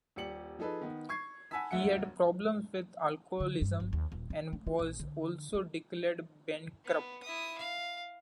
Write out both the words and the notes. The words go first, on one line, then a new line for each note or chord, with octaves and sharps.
He had problems with alcoholism and was also declared bankrupt.
D#1 G4 D5 C#7 F#7
F3 D#4 G#4 A4 B4
D#3 B3
C#6 G#6 C7
F#5 G#5 A5 B5 E6 B6
E1 D2 E5 F#5 C#7
D3
G2
G1
D#2
D#1
D#4
A3
F4
A#1
D3
A3
B3
E4 D#6
F5